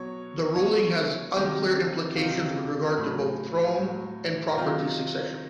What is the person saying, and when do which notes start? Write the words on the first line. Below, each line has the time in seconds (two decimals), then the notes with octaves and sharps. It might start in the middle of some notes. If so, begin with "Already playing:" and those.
The ruling has unclear implications with regard to both throne and property succession.
Already playing: B2 F#3 C#5
0.56 B2 F#3 C#5
1.36 C3 D#3 F#3 G4
2.16 C3 D#3 F#3 F4
2.97 A2 F#3
3.77 A2 F#3
4.58 C3 D#3 F#3 F4